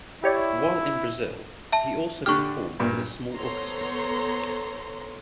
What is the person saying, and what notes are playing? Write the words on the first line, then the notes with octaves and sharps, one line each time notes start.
While in Brazil, he also performed with a small orchestra.
E4 G4 C#5 D5
E5 A5
D3 D4 G4 C#6 F6
G2 A#2
B3 A4 C5 C#5 A#5 C6